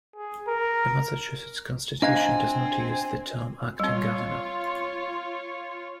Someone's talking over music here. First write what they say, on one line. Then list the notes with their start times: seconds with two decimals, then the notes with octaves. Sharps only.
The Massachusetts Constitution does not use the term "acting governor".
0.16 G#4
0.47 A#4
2.02 C4 D4 D#5 F5 G#5 A#5 G#6
3.80 G3 C4 F4 C#5